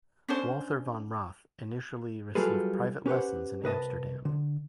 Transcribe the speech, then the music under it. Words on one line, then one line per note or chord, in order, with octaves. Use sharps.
Walther vom Rath initially received private lessons in Amsterdam.
C#4 D4 C5
F#3 G3 F4 G#4 A4 B4
C#4 G4 B4 C5 F#5
C2 B4 D#5 A5
D3